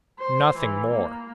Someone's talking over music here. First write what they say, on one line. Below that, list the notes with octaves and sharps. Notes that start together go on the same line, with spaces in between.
Nothing more.
C5
E3
A#3